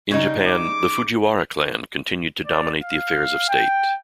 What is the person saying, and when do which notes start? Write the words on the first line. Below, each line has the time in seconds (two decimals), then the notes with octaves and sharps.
In Japan, the Fujiwara clan continued to dominate the affairs of state.
0.11 C#3 G3 D#4
0.47 D6
2.46 D5
2.83 F5
3.49 G5